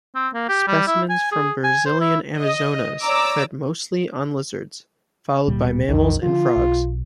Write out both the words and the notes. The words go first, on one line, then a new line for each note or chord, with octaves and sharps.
Specimens from Brazilian Amazonas fed mostly on lizards, followed by mammals and frogs.
C4
A#3
G4
G3
E4
G#5
G#4
G#5
C5
E4
D#5
C#5 D5 A#5 D6 E6
D1 A#2 G3
B1 F2 D#3
D3 F3 F4
B1